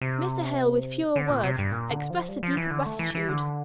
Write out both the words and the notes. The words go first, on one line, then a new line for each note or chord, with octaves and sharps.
Mr. Hale with fewer words expressed a deeper gratitude.
C3
D3
A#2
C3
G2
A#2
D3
F3
G3
F3
E3
D3
A3
E3
E3
D3